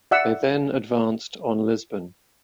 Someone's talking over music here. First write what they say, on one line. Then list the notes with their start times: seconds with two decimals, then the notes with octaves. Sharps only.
They then advanced on Lisbon.
0.11 D5 E5 F#5 E6